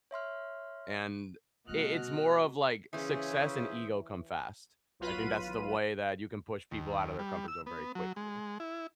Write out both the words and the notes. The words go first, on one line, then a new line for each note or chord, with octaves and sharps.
and it it's more of, like, success and ego come fast. I think that's the way that you can push people outta their comfort zone very quickly,
C#5 E5 C6 F6
B2 G3 A3 F#4 D#5 F6 F#6
C#3 E3 C#4 C5 E5 D#6
B1 F#3 F4 B4 B5 D#7
D#2
G3
E6
B3
F#3
G#3
E4